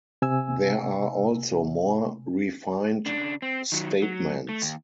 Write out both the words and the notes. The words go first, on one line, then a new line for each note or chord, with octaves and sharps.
There are also more refined statements.
C3 G#5 E6
C#3 D4
C4
D#3 F#3
F#3
A3
D#2